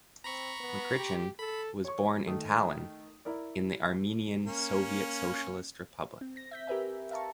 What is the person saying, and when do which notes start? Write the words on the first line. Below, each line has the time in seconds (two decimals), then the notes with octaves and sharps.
Mkrtchyan was born in Talin in the Armenian Soviet Socialist Republic.
0.24 C4 A#5 B5 C#6
0.60 B3
0.95 G4
1.39 A4 B5
1.85 C#5 C#6
2.27 D#3 A3 D#6
3.25 E4 A#4 D5
4.46 A#3 C#4
6.21 C4
6.37 A#6
6.51 E5 G6 B6
6.67 G4 A#4 B4 E5 G#5
7.11 E5 F5 A5 A#5 C#6